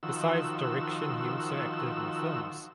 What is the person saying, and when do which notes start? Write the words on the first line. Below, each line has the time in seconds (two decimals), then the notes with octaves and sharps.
Besides direction he also acted in films.
0.03 D#3 F3 F#4 E6